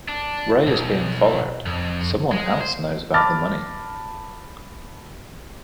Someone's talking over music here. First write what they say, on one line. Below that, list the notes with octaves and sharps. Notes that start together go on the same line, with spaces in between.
Ray is being followed; someone else knows about the money.
D4
B1
F2
G#3
C5
A5 B5 D6 F6 A6 A#6